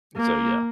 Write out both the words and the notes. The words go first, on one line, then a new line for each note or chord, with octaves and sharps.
so, yeah,
A#3